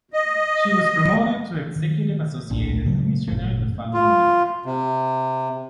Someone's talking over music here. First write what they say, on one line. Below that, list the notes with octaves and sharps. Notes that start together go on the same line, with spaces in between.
She was promoted to executive associate commissioner the following year.
D#5
D#3
D1 A#1 A#2 D4
C#3 F#3 A3
G#1 F#2 A#2 A3
F4
C3